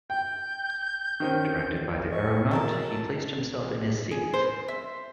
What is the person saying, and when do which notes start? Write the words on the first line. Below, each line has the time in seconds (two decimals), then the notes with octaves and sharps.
Directed by the aeronaut he placed himself in his seat.
0.10 G5 G6
1.20 D#3 C4 C#4
2.12 G#4 D#5 C#6
2.51 F#3 A4 A#4 A5
4.11 G#4
4.34 C5
4.68 E5